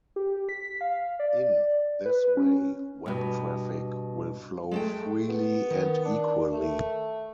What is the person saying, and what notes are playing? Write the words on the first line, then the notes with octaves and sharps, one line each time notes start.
In this way, web traffic will flow freely and equally.
G4
B6
F5
D5
B4
C#4
G2 B2
G#3 A3 G5
B3
D#3
D4
A3